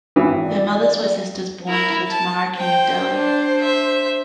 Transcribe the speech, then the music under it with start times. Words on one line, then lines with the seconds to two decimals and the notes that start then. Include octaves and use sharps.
Their mothers were sisters born to the Tomara king of Delhi.
0.16 G#1 E3
0.45 D5
1.68 E4 A#4
2.08 A5
2.58 C5 G5
3.12 D4
3.61 E5